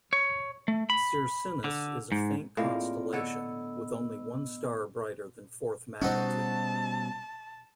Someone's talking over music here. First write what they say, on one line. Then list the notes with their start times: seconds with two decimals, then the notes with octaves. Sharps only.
Circinus is a faint constellation, with only one star brighter than fourth magnitude.
0.13 C#5
0.68 A3
0.90 B5
1.64 D3
2.12 G#2
2.57 A2 G#3 A#3 C4 F4 D5
3.13 D3 B3 A4 C#5 D#5 E6
6.02 B2 G3 C4 C#4 D#4 F#4 A5